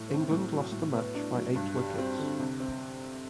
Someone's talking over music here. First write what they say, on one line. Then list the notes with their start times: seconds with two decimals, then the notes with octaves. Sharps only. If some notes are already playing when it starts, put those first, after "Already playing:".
England lost the match by eight wickets.
Already playing: A2
0.10 C4
0.31 A2
0.52 F#3
0.72 A2
0.94 B3
1.15 D4
1.35 F#3
1.55 G2
1.77 G3
1.98 C4
2.18 D3
2.40 C3
2.60 C4